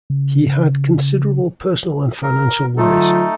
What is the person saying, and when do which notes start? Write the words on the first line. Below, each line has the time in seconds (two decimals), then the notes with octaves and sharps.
He had considerable personal and financial worries.
0.10 C#3
2.23 A#4
2.78 D3 F#3 A3 D#4 F4 A4